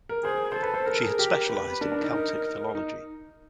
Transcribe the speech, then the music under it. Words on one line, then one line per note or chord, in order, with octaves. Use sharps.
She had specialised in Celtic Philology.
A#4
G#4 C5
A4 C5
B4
C5
A4 A#4
G#4
G4
B4
D4 A#4
D4
D#4
D#4
D#4